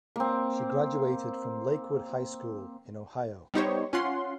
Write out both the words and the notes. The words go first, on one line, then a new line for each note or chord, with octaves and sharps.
She graduated from Lakewood High School in Ohio.
A#3 C4
G3 B3 D#4 G4 C5 C#5
C#4 F4 F#5 C6